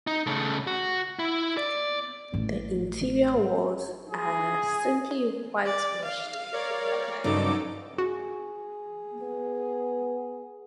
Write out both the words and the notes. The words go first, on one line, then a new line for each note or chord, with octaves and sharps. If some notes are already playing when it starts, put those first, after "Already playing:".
The interior walls are simply whitewashed.
D#4
C#3 A3
F#4
E4
D5
A1 A2
G#4
D5
F5
A#4 C#5 D5
G2 C#3 F#3 D#4 A4 D6
F#4 G#4
B3